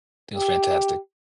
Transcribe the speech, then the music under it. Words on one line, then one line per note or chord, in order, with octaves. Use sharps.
It was fantastic.
G4